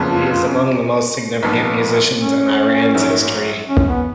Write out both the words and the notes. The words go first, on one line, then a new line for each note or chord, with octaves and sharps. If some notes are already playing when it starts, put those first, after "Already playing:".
He is among the most significant musicians in Iran's history.
Already playing: F#1 F2 C#3 F3 B3
F4
F4
C#4
B1 A#2 F3 B3
C#4
A#1 G#2 F#3
C#4
B3